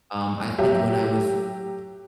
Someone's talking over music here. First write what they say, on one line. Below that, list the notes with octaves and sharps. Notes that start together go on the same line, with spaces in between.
Um, I think when I was,
F#3 G4 E5